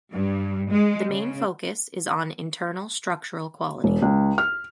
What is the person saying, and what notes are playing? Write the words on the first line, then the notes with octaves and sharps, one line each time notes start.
The main focus is on internal structural quality.
G2
G#3
C#3
E1
C#2
F6